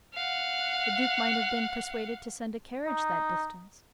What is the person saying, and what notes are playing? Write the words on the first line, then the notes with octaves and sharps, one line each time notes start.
The Duke might have been persuaded to send a carriage that distance.
F5 F#5
D#4